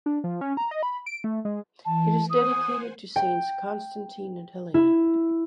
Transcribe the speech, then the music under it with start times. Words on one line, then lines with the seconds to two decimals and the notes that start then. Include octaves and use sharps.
It is dedicated to Saints Constantine and Helena.
0.06 D4
0.24 F3
0.41 C#4
0.57 A#5
0.71 D#5
0.83 B5
1.06 D7
1.24 A3
1.45 G#3
1.85 E3 A5
2.30 C5 F#5 G#5 D#6
3.16 G5
4.74 E4